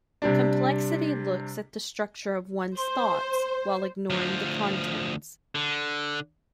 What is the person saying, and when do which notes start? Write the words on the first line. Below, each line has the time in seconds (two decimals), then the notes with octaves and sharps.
Complexity looks at the structure of one's thoughts, while ignoring the contents.
0.22 C3 G3 D4
2.76 C5 C6
4.10 D2 F3
5.55 D3